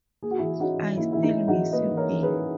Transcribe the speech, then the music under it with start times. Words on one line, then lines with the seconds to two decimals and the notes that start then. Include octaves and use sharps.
I still miss you Bill.
0.22 A#3 G#4
0.31 F#4
0.38 E3 E4 G#4
0.60 C#4 D#4 F#4
0.79 E3
0.97 A#3 E4
1.13 E3 E4
1.23 D#4
1.35 C#4
1.48 D#4 F#4
1.54 E3
1.72 A#3 B4 D#5
1.92 E3
1.97 A#4 C#5
2.11 C#4
2.23 G#4 B4
2.29 E3